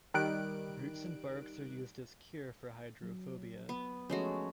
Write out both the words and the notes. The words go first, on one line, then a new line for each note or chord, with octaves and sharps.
Roots and bark are used as cure for hydrophobia.
D#3 G3 F#6 D7
F#3
B3
F3 G#3 A3 C#4 F#4 C#5